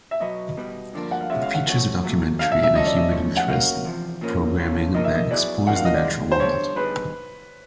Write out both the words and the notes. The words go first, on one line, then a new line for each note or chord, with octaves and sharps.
It features documentary and human interest programming that explores the natural world.
E5
B2 F#3 B3 D#5
B2 G3 B3
G2 D3 F3 A#3 D4
F#5
F5
B2 G#3 C#4 F4 E5
F5
F#5
F3 A3 C#4 F#4
A#2 F#3 A3
B2 F#3 A3 D4 F5
E5
E5
F#3 A3 C#4 F4 A4 D#5
D5
D#5
G#2 F3 A3 C#4
F#5
F#3 A#3 C#4 F5
E2 C3 F3
A#2 F3 A#3 C#4
A2 E3 A3 C#4 F4
A#2 F3 A#3 D#4 D#5
E5
D#5
F#3 B3 E4 G#4 D5
F2 C#3 F3 A#3 F#5
F5
D#5
D5
G2 E3 G#3
C5
G2 D3 G3 B3 D4 C#5
D3 G3 B3 D#4 G#4 B4